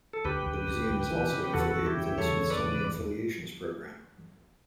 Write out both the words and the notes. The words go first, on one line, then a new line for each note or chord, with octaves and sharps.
The museum is also an affiliate within the Smithsonian Affiliations program.
A4
D2 G4 B4
D2
D2
D2
E3
C#3
G4
E2 F#4 A4
E2
E4 G4
C#3
E2 A4 C#5
C#3
B4 D5
E2